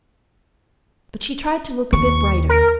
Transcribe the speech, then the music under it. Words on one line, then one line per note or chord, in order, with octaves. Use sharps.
But she tried to look a bit brighter.
D#2 C#6
A#4